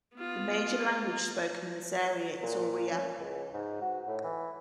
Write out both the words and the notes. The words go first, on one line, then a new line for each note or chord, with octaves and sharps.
The major language spoken in this area is Oriya.
B3 F4
A#2
C#4
C#2
G#2
F#4
A2
E3